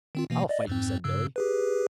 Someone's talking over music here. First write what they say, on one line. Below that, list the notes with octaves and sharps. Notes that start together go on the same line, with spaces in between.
"I'll fight you," said Billy.
D#3 C4 F4
B2 E3 A#3
D5 D#5
F2 G#2 C4
G2 C#3 E6
G4 G#4 B4